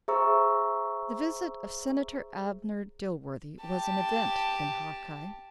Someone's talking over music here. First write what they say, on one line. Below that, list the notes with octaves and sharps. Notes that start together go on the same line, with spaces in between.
The visit of Senator Abner Dilworthy was an event in Hawkeye.
G#4 C5 E5 A#5 C#6 E6
G4 A5